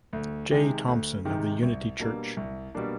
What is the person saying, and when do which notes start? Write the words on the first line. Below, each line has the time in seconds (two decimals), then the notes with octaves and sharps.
J. Thomson of the Unity Church.
0.13 D2
0.51 C3 D#3 G#3
0.88 D2
1.25 C3 D#3 G#3
1.62 C2
1.99 B2 G3 A#3 D4
2.37 C2
2.75 B2 G3 A#3 D4